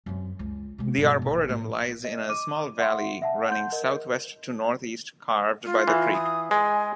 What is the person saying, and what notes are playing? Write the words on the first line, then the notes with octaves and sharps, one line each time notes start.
The arboretum lies in a small valley running southwest-to-northeast carved by the creek.
F#2 C4
C#2
C3 G#3
G2 B2
A#1
A2
D#5
D6 D#7
E5 F#5 C6
E5 F#5 A5
F#5 C6 G6
A#4 D#5
F4
E3
D#6
G#3 G#5